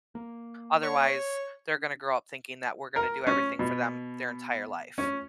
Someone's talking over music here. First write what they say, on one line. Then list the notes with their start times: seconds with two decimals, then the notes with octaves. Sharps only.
otherwise, they're gonna grow up thinking that we're gonna do everything for them their entire life.
0.15 A#3
0.83 C#5
2.96 A#4
3.27 C#4
3.59 B2
4.98 C#4